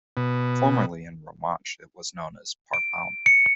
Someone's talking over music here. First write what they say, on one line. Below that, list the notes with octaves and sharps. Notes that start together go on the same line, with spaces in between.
Formerly in Romansh it was known as "Parpaun".
B2
D7
C#7